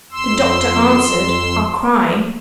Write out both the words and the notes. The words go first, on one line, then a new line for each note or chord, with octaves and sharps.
The doctor answered, "Our Crime."
F2 C6 E6